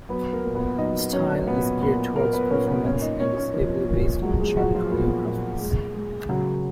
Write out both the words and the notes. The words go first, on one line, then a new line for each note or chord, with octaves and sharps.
The style is geared towards performance and is heavily based on short choreographies.
F#3 B3 B4
A#3 A#4
A#2
B3 B4
F#3 D#4 D#5
F#3 C#4 C#5
A#2 B3 B4
A#2 B3 B4
A#2 A#3 A#4
B3 B4
A#2 C#4 C#5
B3 B4
A#2 C#4 C#5
D#4 D#5
A#2 C#4 C#5
C#4 C#5
F3 A#3 A#4
A#2
F#3 G#3 F#4
G#3 G#4
F3 F#3 F#4
F3 F4
A#2 B3
A#2
G#3
G#3
C#3 F#3 F#4